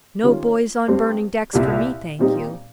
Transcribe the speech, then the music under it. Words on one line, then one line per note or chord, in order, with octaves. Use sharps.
'No boys on burning decks for me, thank you.'
D#3 G3 C#4 F4
G2 G3 C4
C2 A#2 G3
A#2 G3 C4 D#4 G4